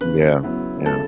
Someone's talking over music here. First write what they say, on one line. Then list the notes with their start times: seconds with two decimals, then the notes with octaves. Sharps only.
Yeah. Yeah.
0.01 C#3 B4
0.43 F#3 B3 E4
0.86 C#3 A4